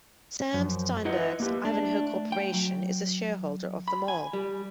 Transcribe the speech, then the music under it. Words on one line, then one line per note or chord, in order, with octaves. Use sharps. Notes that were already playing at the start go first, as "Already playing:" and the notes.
Sam Steinberg's Ivanhoe Corporation is a shareholder of the mall.
F#2 F3
E4 B4 D#5 F#5
A#3 G4
A3 D4
G5
F#3
B5
G#5
G3